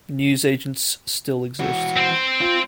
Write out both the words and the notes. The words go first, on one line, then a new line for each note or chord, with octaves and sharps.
Newsagents still exist.
E3 F#4
C4 C5
F4